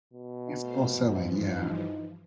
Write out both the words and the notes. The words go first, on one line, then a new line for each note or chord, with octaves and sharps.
It's for selling, yeah.
B2
A3 C5 F5
G2 E3 F3
D#4